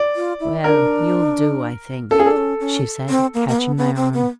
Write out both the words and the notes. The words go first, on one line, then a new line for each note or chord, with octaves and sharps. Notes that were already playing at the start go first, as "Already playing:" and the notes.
'Well, you'll do, I think,' she said, catching my arm.
Already playing: D5
F4
E4
D4 A#4
C#4 A4
G#4
D4 A4
C#4
C#4
C4
A#3
A#3
B3
B3
C4
B3